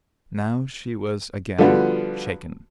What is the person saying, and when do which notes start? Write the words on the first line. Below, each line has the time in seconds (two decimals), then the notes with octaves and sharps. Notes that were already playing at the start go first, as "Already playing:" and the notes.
Now she was again shaken.
1.58 D3 F3 G3 B3 F4 F#4